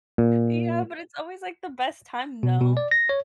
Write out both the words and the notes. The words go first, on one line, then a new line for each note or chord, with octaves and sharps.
Yeah, but it's always, like, the best time though.
A#2
B2
B2
D5
A#6
C#5